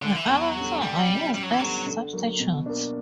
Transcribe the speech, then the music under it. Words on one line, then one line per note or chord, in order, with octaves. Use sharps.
The other two are used as substitutes.
D3
E3
E2 F#3
D3 G3
E2 G3
B2 F#3 C#4
F#2 G3
F#3
E3
D3 F#3 G3 B3
D3
F#3 A#3
B2
A#3 D4